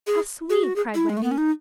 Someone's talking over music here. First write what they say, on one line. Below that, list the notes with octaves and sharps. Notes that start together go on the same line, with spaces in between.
"How sweet!" cried Wendy.
G#4
G#4
F#4
G#4
E4
G#3
A3
B3
C#4
D#4